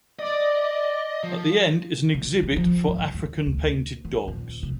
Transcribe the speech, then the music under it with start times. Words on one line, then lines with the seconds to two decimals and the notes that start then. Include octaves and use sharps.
At the end is an exhibit for African painted dogs.
0.19 D5 D#5
1.23 F3
2.14 D3
2.43 G3
2.56 F3
2.88 G#2
3.14 D#2
3.46 D2
4.05 D#3
4.28 D#1
4.63 C3